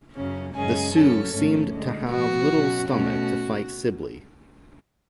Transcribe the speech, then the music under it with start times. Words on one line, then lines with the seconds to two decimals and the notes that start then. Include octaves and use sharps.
The Sioux seemed to have little stomach to fight Sibley.
0.15 F#2 C#3 F#3 C#4
0.54 F#2 C#3 G#3 C#4 G#4
0.93 C#3 F#3 C#4 A4
1.32 G#2 F3 A3 C#4
1.71 D2 D3 G#3
2.10 A2 F3 B3 F#4
2.49 B2 F#3 C#4
2.87 B2 A3 C#4 F#4